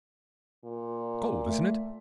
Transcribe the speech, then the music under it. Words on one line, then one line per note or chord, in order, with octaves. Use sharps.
"Cold, isn't it?"
A#2
A3